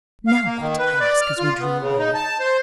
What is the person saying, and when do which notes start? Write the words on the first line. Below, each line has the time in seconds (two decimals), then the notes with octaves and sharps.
"Now what?" I asked, as we drew away.
0.27 F5
0.45 A#3
0.60 D#3
0.79 B4
1.00 D5
1.22 F6
1.39 F4
1.60 B3
1.81 C#3
1.98 D#4
2.14 A5
2.40 C5